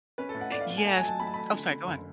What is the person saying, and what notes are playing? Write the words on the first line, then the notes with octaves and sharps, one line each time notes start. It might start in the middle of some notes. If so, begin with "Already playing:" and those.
Yes Oh, sorry. Go on.
C#4 B4
A4
A2
F#5
A2 D5
F5
A2
G#5
A3 A5
G#5
F#3 A5
A3 B5
A5
A3 B5
D3
D3
F#1